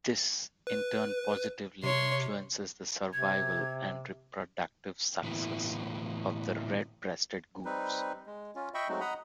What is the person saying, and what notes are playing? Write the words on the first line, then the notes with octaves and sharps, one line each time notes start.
This in turn positively influences the survival and reproductive success of the red-breasted goose.
B4
C3 C#5 C6
C3 G#6
A2 D3 E3 A#3 B3
G3 C4 D#4 B4
G#3
C#4 F4
D#5 E5 G5 B5 C#6
F#3 G#3 A3 C4 D#4 F#4
D#5 F#5 A#5 B5 D#6